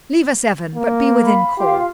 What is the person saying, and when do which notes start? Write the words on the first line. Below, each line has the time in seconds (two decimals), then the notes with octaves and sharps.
Leave us, Evan, but be within call.'
0.75 A#3
1.24 F5 B5
1.58 F4 G4 F5 C6